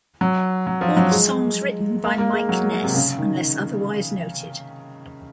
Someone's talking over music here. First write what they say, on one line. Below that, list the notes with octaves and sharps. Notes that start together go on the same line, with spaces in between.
All songs written by Mike Ness unless otherwise noted.
F#3
F#3
F3
F#3
G#3
A#3
A#3
G#3
F#3
G#3
C3
C#3
D#3